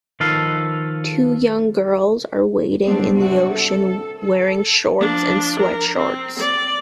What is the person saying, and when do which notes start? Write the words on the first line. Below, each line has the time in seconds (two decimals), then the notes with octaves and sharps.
Two young girls are wading in the ocean wearing shorts and sweat shorts.
0.20 D#3 F3 A4 B4 F5
2.85 F#3 G3 B3 C4 D4
3.16 C3 D4 F#4
3.53 A4
4.18 A4
5.00 F3 D4
5.60 A#4
5.97 C4
6.39 D5